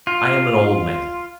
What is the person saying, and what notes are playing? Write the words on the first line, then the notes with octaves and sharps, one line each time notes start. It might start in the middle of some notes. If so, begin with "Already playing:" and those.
I am an old man.
F4